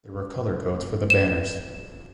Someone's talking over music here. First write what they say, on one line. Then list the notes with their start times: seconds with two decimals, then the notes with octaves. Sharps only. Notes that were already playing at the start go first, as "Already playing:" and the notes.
There were color codes for the banners.
1.10 E7